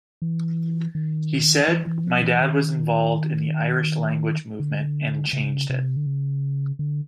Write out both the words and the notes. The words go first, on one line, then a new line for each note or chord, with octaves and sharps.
He said, My dad was involved in the Irish language movement and changed it.
E3
D#3
E3
E3
F3
E3
D#3
D3
C#3
C3
D3
C#3
D3